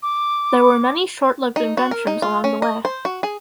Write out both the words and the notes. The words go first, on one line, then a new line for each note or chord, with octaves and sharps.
There were many short-lived inventions along the way.
D6
D#4
F#4
A#4
D#4
F4
C#4
D#5
C5
F#4
G#4